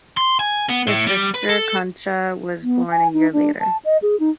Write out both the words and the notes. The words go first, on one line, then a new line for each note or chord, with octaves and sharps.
His sister, Concha, was born a year later.
C6
G#5
B3
A2
G3
B4
A4
B3
G#5
D#4
D4
A5
D#5
G#4
D#4